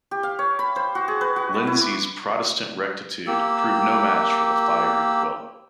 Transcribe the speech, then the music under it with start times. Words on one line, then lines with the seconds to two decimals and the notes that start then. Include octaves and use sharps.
Lindsay's "Protestant rectitude" proved no match for the "fiery" Quill.
0.11 G4
0.23 F5
0.39 C#5
0.59 B5
0.76 C5
0.95 F#4
1.08 G#4
1.21 B4
1.36 F#4
1.54 A5
1.67 E4
1.81 D6
3.27 A#3 G4 E6